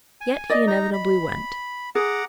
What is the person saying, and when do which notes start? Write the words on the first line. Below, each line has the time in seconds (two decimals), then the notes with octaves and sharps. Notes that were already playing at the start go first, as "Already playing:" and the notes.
Yet he inevitably went.
0.21 G#5
0.50 D5 D#5
0.67 D#4 A#5
0.93 B5
1.95 G#4 F#5 A#5 D6